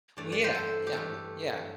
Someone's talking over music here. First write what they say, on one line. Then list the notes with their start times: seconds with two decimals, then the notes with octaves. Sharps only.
Well, yeah, yeah, I mean yeah.
0.17 G2 E3 A3 D5
0.32 D5
0.44 C5
0.55 A4
0.87 G4
0.92 G2 E3 A3 A4